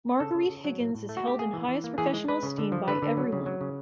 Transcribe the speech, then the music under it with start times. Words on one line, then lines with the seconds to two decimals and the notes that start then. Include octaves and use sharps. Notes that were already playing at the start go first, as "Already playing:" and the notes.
Marguerite Higgins is held in highest professional esteem by everyone.
0.20 C#3 A4
0.35 C#3
0.49 C#3
0.64 F#3
0.80 A2
0.95 A2
1.09 A3
1.17 F#4
1.24 A3 G4
1.39 A#3 G#4
1.53 E3
1.68 E3
1.84 A#3
1.98 E3 G#4
2.13 G#3
2.28 G#3 B4
2.43 C#3
2.58 D3
2.72 F3
2.87 D3 B4
3.02 D3
3.17 F#3
3.32 C#3
3.46 F#3
3.61 C#3